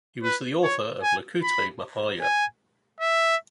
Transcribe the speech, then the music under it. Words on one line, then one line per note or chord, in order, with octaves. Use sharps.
He was the author of "Likutei Maharya".
B4
C#5
G#5
B5
G#5
E5